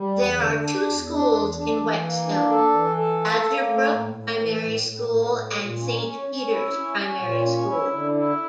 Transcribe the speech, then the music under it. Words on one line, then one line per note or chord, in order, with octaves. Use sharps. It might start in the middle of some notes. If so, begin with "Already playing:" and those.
There are two schools in Whetstone: Badgerbrook primary school and Saint Peters primary school.
Already playing: G3
E2
D3
D4
E2
D4
E2
D4
E3
A#3
D4
A4
E3
A4
A#3
A#3
A3
A2
A2
E3
A2
A2
A2
A2
A#2
C#4
C#4
C#4
E4
C#4
C#4
A#2
C#4
E4
D3
E4